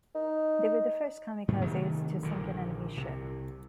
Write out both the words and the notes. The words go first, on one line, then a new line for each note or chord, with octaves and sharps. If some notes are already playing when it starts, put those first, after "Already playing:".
They were the first "kamikazes" to sink an enemy ship.
D#4
G#2 C3 F#3 A3
C3 D#3 F#3 A3
A#1 A#2 D3 D#3
C2 C3